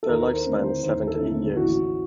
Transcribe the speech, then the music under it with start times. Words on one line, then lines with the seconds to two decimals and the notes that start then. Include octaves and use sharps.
Their lifespan is seven to eight years.
0.03 A4
0.09 D#2 A#4
0.33 C5
0.46 D3 A3 C4
0.58 C5
0.83 D#2 C5
1.07 A4
1.20 D3 A3 C4
1.56 A1 F#4